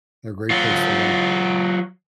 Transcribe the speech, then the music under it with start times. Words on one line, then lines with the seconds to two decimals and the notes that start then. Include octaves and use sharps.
they're a great place to learn.
0.50 F#3 F4